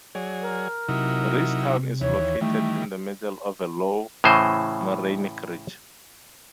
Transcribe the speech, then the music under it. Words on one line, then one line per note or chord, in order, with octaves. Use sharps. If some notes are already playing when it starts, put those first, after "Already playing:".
Ridgetown is located in the middle of a low morainic ridge.
F#3 G#4 C#5 D5
A#4
C3 F#3 D#4 E4
D#2 E3 C#5
D#3 E3 G3 A3
A2 C#3 E3 C5 D#5